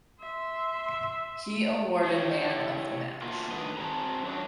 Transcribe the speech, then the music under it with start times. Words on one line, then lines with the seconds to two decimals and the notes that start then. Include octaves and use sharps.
He awarded man of the match.
0.20 E5 C6
2.05 E4 G4 C#5
3.22 A3 A#3 F4 F#4
3.51 G2 D#3 A3 B4 D#5
3.77 C4 F#4 G#4 A5 A#5
4.23 F#2 F#3 D4